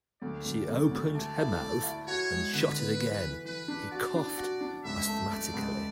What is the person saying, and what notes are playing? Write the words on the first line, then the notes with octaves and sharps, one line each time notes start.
She opened her mouth and shut it again; he coughed asthmatically.
D2 D5
D2
D2
D2
A3 D5
E4
A3
E4
F#4 C#5
G#3
D3 B4
B3
E3
E3
E3 B4
D4
F#4 D5
D4
F#4
D4
C#2 E5
A3
A3 D5
C#2